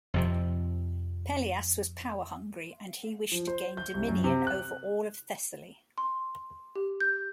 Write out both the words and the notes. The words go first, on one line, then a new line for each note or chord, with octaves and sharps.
Pelias was power-hungry and he wished to gain dominion over all of Thessaly.
F2 C3 F3
F3
C5
G6
C2
F#2
C3
F#6
C6
G4
G6